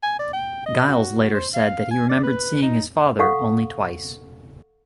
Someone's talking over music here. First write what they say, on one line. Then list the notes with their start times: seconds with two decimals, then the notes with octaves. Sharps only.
Giles later said that he remembered seeing his father only twice.
0.03 G#5
0.19 D5
0.33 G5
0.66 D#5
0.88 F#4
1.34 C5
1.54 F5
1.91 G#5
2.09 D5
2.23 B4
2.62 D#4
3.19 A4 F5 F#5 C#6